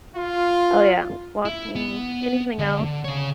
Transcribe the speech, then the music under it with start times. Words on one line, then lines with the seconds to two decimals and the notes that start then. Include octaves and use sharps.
Oh, yeah walking. Anything else?
0.16 F4
1.45 E4
1.75 B3
2.59 D3
3.04 C#3 C#5